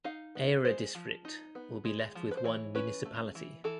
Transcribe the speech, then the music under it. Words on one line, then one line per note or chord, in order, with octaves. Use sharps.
Aira District will be left with one municipality.
D#4 F5
B3
G#3 C5
F3
D#4
B3
G#3
F3
B4
C5
E3 C#5
C#4 B4
A3
E3
E3 A4